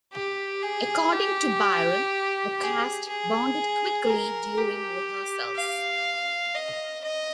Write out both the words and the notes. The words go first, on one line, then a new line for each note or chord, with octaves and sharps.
According to Byrne, the cast bonded quickly during rehearsals.
G4
G#4
G4
G#4
G#4
A#4
G4
F5
D#5
D#5